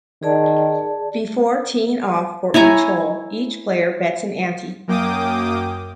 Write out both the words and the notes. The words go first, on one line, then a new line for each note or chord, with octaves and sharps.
Before teeing off for each hole, each player bets an ante.
D#3 G#4 D5 A5
E4 C#5 G#5 A#5
F#2 A#3 G5 D6 D#6